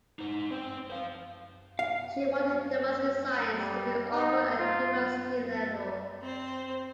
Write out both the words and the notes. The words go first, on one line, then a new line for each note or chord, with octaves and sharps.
She wanted Domestic Science to be offered at the university level.
D#4 C5
C4 C5
C5 F5
F5
G3
D#4
F4
C4 C5